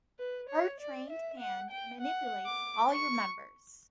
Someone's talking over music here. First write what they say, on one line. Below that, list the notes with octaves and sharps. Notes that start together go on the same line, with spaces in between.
Her trained hand manipulates all your members.
B4
C#5
D5
E5
F#5
G5
F#5
D6
C#6